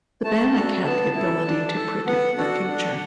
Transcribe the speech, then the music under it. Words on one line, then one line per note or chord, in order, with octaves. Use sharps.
The Bannik had the ability to predict the future.
A3 A5
D4 F#4 A4
B3 A5
E4 A4
D4
A4
B3 F#5
D4 F#4 A4
D4